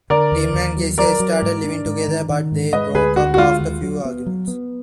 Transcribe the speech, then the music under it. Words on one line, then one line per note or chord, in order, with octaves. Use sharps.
Tim and Geisa started living together but they broke up after a few arguments.
D3 A#4 D5
D#2
D#2
F#3
F#3 A#4 D5
F#3
G#2
D4
G#2
D#3
D#3
G#2
G#3 B4 D#5
D2 G#4 B4
D3 F#4
F#4
G#3 F4
D#2
F#3
B3
F#3
B3